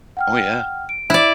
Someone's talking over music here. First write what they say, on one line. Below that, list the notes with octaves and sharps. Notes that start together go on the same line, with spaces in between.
Oh, yeah.
F#5 G5 F6
D7
E4 D5